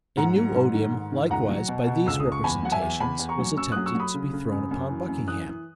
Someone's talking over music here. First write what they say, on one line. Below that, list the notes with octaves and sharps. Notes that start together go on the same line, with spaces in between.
A new odium, likewise, by these representations, was attempted to be thrown upon Buckingham.
G#2 F#5 A#5
F#3
G#2
D#3
G#2
D#3
C#2 F#5 A#5
F#3
B2
B2
C#2 E6
D#6
C#2
C#6
E2 G#5 B5
F#3 F#5
E5 G#5
E2
E2 G#5 B5
E2
A#5 C#6
F#3
F#2 C#6 E6
F#3 D#6 F#6
C#6 E6
F#3 B5 D#6
C#3
C#3
F#2
F#2
E3
F#2
E3 D#6 F#6
E3